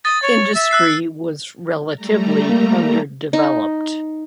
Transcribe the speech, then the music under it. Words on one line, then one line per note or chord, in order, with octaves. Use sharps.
Industry was relatively underdeveloped.
D#6 A6
C#5
E5
E6 F#6 C7
G3 A3 A#5
A#3
D#4